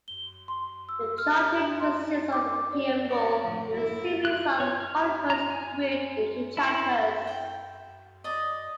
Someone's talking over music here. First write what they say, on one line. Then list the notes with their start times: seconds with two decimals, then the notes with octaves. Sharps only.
The Charter consists of a "preamble" and a series of articles grouped into chapters.
0.08 G7
0.48 C6
0.89 E6
1.18 F6
1.59 D4
1.80 C6
2.04 D#4
2.33 D6
2.73 D5
3.08 C#4 A#4 D5
3.42 A2 D3 F3
3.72 E4
4.25 F#6
4.60 C#5
4.80 F6
5.30 A#5
5.50 G#5
6.57 E4
7.27 G5
8.24 D5 D#5